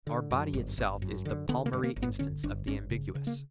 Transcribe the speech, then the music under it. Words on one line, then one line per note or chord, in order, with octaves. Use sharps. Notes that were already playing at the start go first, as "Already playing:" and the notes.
Our body itself is the palmary instance of the ambiguous.
D3
F#2
G1
G1
F#2
D3
D3 B3
A#3
G2
A#3
G1
B3
D3 C#4
G1 D4
G1 C#4
C#3
C#3
A#3